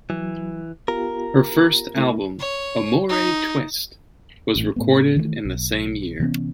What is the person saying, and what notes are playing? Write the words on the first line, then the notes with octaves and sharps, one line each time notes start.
Her first album "Amore Twist" was recorded in the same year.
E3 F#3
B3 F4 G4 A#4
A3 E4
C#5
D#4
A1 A2
A2 A3 B3
D#3 E3 G3 A3
B1
C3 E3 B3 C#4